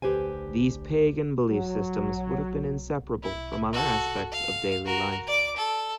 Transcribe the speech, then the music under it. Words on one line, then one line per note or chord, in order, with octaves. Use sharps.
These pagan belief systems would have been inseparable from other aspects of daily life.
D2 G4 B4 C5 G#5
F#3
E4
F#4 A4
F5
F#4 A#4
D5 D6
A4